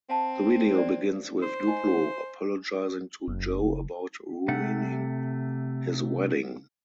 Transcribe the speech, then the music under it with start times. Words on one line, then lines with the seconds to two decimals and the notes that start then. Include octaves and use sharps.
The video begins with Diplo apologizing to Joe about "ruining" his wedding.
0.10 C4 F5 A5
0.74 C5 D5
1.42 C5
1.67 D#5 G#5
3.28 F#1
4.48 C3 A3 F#5